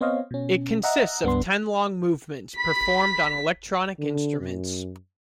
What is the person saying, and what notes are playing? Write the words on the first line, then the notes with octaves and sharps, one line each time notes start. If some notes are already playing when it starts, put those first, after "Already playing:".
It consists of ten long movements performed on electronic instruments.
B3 C4 C5 C#5 D#5 F5
B2 C#4
D#5 E5 F#5 A#5
C#2 G2 B3 D4 C6
B5 B6
D3
F#2